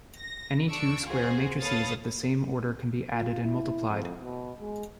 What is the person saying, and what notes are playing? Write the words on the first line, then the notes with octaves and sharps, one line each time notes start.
Any two square matrices of the same order can be added and multiplied.
A#6
D4 C#6 E6 D7
F4 F#4 G#4 C5
A4 B4 C#5 F5 D#6 A6
F4
E4
F2
B2
G#3